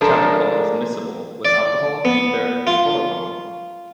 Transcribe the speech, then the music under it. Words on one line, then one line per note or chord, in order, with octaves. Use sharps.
Chavicol is miscible with alcohol, ether, and chloroform.
F3 G#3 D4 A4 A#4
D5
B3
F4